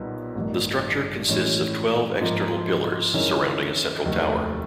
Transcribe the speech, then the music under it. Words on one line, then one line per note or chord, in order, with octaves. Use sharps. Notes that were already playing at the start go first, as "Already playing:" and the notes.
The structure consists of twelve external pillars surrounding a central tower.
Already playing: B1 A#2 G3 B3 D#4
A1 G2 D#3
A2 E3 G#3 C#4
G#2 F3 A#3
F#2 D#3 G#3 C#4 E4
F1 D#2 D#3 F#3 A3